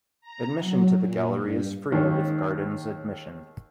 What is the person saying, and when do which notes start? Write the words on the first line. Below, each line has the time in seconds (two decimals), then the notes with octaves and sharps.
Admission to the gallery is free with gardens admission.
0.21 A#5
0.57 F#3
0.96 A#2
1.31 G2
1.92 D#2 G#2 D#3 C#4